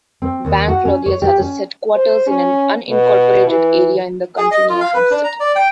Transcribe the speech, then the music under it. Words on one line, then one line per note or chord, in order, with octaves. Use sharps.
Bank Clothiers has its headquarters in an unincorporated area in the county, near Hampstead.
C4
D#2
F#4
C#4
C#5
G4
C#4
C5
C#4
B2
E3
G#4
D#5
F4
F5
B4
D4
A#5
D5
G5